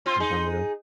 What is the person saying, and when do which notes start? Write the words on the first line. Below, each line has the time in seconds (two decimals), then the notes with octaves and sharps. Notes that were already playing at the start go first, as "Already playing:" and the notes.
sometime ago.
0.06 C4 F4 C6
0.20 D#4 G#4